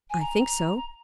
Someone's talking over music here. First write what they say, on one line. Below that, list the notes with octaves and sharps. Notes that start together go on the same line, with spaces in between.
"I think so."
G#5
A#5